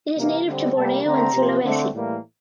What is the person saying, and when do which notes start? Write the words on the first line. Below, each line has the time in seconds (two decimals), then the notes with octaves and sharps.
It is native to Borneo and Sulawesi.
0.15 C3 E3 A#3
0.44 D3 G3 C4
0.74 C3 G3 A#3 A5
1.03 D3 A3 C4 A#5
1.33 C3 F3 C4
1.63 D3 A3 C4
1.93 A2 E3 G3 A#3